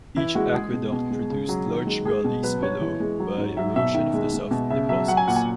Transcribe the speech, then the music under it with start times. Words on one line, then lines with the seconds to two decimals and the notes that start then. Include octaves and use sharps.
Each aqueduct produced large gullies below by erosion of the soft deposits.
0.16 E3 E4
0.35 G#3 F#4
0.54 G#3 G#4
0.73 B2
0.92 B2
1.11 G#3
1.30 C#3
1.49 F#3
1.68 D#3
1.87 G#3
2.05 G#3 G#4
2.24 B2
2.43 F#3 B4
2.62 B2 C#5
2.81 E3
3.00 G#3
3.19 F#3
3.38 G#2
3.57 F#3 E5
3.76 B2 E5
3.95 D#3 E5
4.14 G#3
4.33 G#3
4.51 B2
4.70 C#3 E5
4.89 F#3 E5
5.08 F#3 F#5
5.17 G#5
5.27 A#2 F#5
5.36 G#5